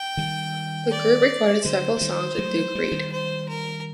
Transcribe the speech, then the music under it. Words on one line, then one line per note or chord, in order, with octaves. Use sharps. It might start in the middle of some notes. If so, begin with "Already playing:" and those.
The group recorded several songs with Duke Reid.
Already playing: G5
D#3 G3
D5
D3 F#3 C5
F#3
D#3 G3
F#3 A3
G3
F#3
D#3 G3
C5
A#4